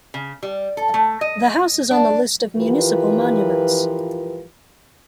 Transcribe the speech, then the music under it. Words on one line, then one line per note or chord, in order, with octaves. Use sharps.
The house is on the list of municipal monuments.
C#3
G3
A4
A3
D#5
D4
E3 F3 F4 G4 A#4 B4